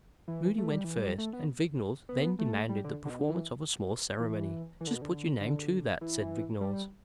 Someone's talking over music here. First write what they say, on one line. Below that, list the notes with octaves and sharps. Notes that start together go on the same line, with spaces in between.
Moody went first, and Vignolles then demanded the performance of a small ceremony. "Just put your name to that," said Vignolles.
E3
A3
G3
E3
G3
A3
B3
B3
A3
G3
D3
D3
B2
D3
E3
E3
E3
D3
B2
D3
D3
E3
G3